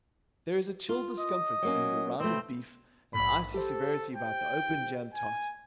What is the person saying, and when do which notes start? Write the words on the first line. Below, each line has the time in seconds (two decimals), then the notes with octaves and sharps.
There is a chill discomfort in the round of beef, an icy severity about the open jam tart.
0.89 F4
1.18 D#5
1.62 F#3 A#3 C#4
2.20 B2 A3 C4
3.14 A#1 G#2 B5
3.54 G4 A4 C5
4.15 G5
5.14 G#5